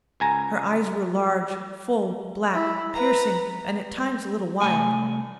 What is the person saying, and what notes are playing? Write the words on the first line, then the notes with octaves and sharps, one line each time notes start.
Her eyes were large, full, black, piercing, and at times a little wild.
C#2 G#5 A#5
E4
B4 A#5
C2 A3 G#5